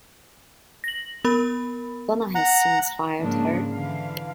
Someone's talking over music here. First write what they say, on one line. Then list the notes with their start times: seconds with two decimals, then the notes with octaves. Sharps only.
Donna has since fired her.
0.84 A#6 F#7
1.25 B3 A#4 B5
2.35 F#5 A#5
3.21 G#2 C#3 F3 A#3 D4
3.71 D3 E3 F5